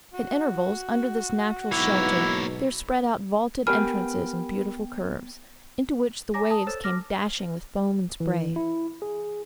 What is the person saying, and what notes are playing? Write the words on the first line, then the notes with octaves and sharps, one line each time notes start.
At intervals, under this natural shelter, there spread out vaulted entrances in beautiful curves, into which the waves came dashing with foam and spray.
F#4
B1 G#2 B2 A#3 E4 C#5
B3 G4 A#4 G5 G#5 B5 F6
C#5 G#5 A#5 D6 A#6
A5 D#6
A4 C5 C#5 E6 A6 E7
D6 F6 A#6
E3
E4
G#4